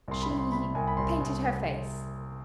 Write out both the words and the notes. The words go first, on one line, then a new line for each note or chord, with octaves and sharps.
"She painted her face."
C2 C6
B5
C2
C6
C3 B5
C2 G#5
B5
C2 C6
C2